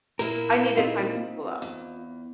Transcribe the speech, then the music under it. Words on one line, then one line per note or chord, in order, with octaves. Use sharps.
I needed time to cool off.
A#2 A#3 E4 A#4
C4 D#4 F4
E2